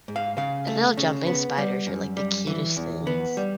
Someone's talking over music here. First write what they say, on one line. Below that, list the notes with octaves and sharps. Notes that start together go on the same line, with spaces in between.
The little jumping spiders are, like, the cutest things.
G#2
F5
C#3 F5
A3
C#3
B3
G3
F#2
G3
E3
E2
B3
G3